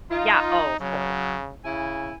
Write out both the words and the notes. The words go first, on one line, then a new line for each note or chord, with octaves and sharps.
Yeah, oh, of cour
D#4 F4
C#3 F#3
C#3 E4 G#5